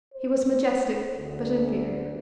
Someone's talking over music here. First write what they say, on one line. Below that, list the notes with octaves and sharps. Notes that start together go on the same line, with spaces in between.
He was majestic, but inferior.
C5
D2